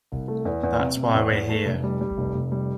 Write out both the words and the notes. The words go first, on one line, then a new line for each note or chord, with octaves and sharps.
That's why we're here.
C2
A3
E2
E2
C3
C3
E2
E2
A3
F1
G3
G3
F1
F1
G3